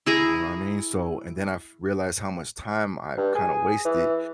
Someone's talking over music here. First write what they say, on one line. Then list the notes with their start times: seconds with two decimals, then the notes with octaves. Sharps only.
You know what I mean? So and then f realized how much time I've kinda wasted,
0.06 E4 G#4 A#5
3.17 G2
3.35 G#4
3.85 E3